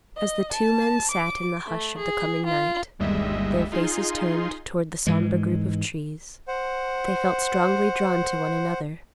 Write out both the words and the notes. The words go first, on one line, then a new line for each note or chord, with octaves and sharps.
As the two men sat in the hush of the coming night, their faces turned toward the somber group of trees, they felt strongly drawn to one another.
D#5
A5
D6
A3
G#4
F4
G1 D#2 G3 G#3 D#5 E5
D#4 F4 G#4 C6
G#2 E3 G#3
C5 F#5